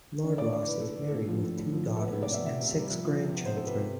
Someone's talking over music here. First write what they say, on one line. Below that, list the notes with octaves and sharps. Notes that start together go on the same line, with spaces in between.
Lord Ross is married with two daughters and six grandchildren.
D3
A3 D5
E4 D5
E4 B4
D3 A4
D3
A2 A4
F3
A2
E4
F3
A2
A4
B3 B4
C3 B4
D5
B3 E5
C3 E5
C3
E5
G3
F3
F3
C3
B3
B3 C5
A4
C3 B4